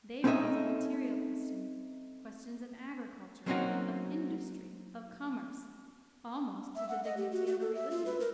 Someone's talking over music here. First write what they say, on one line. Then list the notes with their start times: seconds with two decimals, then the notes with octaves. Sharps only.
They raised material questions, questions of agriculture, of industry, of commerce, almost to the dignity of a religion.
0.24 C4 C#4 D#4 A4 D#5 E5
3.46 F#3 A#3 C4 C#4 D#4 F#4
6.75 E5
6.89 F#5
7.04 D#5
7.17 G4
7.32 F#4
7.47 F#4
7.61 A4
7.75 E5
7.91 F4
8.06 B4
8.20 A#4